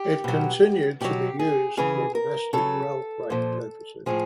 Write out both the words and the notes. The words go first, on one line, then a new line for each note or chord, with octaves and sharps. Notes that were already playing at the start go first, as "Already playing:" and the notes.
It continued to be used for domestic railfreight purposes.
Already playing: G4
B2 F#3
B2 F#3 G4
G#4
C#3 E3 G#4
A#4
C#3 F#3 A4
A#2 F3
A2 F3 G#4